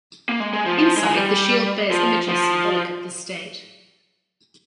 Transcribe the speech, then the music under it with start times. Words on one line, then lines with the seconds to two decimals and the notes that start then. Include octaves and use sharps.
Inside, the shield bears images symbolic of the State.
0.29 A#3
0.40 G#3
0.53 G#3
0.66 F3
0.78 F3
0.97 G#3
1.15 G3
1.91 F3
2.29 F3